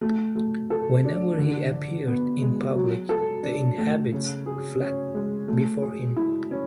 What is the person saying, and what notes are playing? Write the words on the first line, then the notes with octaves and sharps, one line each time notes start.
Whenever he appeared in public, the inhabits fled before him.
A3
A3
A4
D4
D3
D3
B3
G#3
F#3
A4
D4
A3
C#3
G#4
C#4
G#3
A3
G#4
E4
C#4